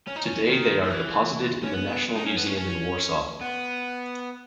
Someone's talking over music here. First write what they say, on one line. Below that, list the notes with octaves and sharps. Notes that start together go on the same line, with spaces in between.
Today they are deposited in the National Museum in Warsaw.
C#4
D#4
C#4
D#3
D#3
E3
C#4
B3
D#4
C#4
B3
C#4
C#4
B3